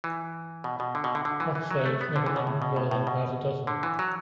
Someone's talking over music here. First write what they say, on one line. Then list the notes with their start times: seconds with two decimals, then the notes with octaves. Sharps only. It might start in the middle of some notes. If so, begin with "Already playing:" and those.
Black slaves never numbered more than about a dozen.
0.04 E3
0.64 B2
0.80 B2
0.95 D3
1.04 B2
1.15 D3
1.25 D3
1.40 E3
1.55 E3
1.71 F#3
1.86 A3
2.01 B3
2.16 D3
2.26 E3
2.36 B2
2.47 A2
2.62 B2
2.76 A2
2.91 A2
3.07 B2
3.67 D3
3.83 E3
3.99 F#3